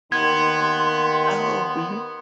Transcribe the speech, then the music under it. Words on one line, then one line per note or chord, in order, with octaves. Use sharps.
Oh, mhm.
D#2 D#3 B3 C6 G#6